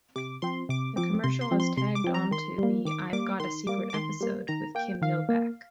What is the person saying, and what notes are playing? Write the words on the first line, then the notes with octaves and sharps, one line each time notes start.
The commercial is tagged onto the I've Got a Secret episode with Kim Novak.
C3 D6
F3 C4 C6
C3 D6
F3 C4 D6
C3 C6
C6
F3 C4
C6
C3 C6
D6
F3 C4
A#5
D#3 C6
G3 A#3
D#3 D6
G3 A#3 D6
D#3 C6
G3 A#3 D6
D6
D#3 C6
G3 A#3
D#3 A#5
A#3 G5
D#3 F5
A#3